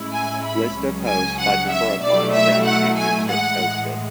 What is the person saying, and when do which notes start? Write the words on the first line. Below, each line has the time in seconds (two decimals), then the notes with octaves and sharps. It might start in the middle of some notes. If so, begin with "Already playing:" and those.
List of hosts by number of final round championships hosted.
Already playing: A2 G#3 C#4 E4
0.13 G#5
0.45 B5
0.76 C#2 C#3 F#3 C#4
1.08 G#5
1.39 F#5
1.71 E5
2.02 B2 F#3 A3 E4 D5
2.34 E5
2.65 F#5
2.97 G#5
3.28 A2 E3 G#3 F#5